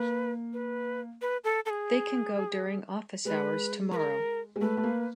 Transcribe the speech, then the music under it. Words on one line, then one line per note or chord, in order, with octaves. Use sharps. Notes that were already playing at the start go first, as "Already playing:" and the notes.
They can go during office hours tomorrow.
Already playing: A#3 B4
B4
B4
A4
A4
G#4
G#3 B4
B4
A#4
G#3
A3 B4
A3
A#3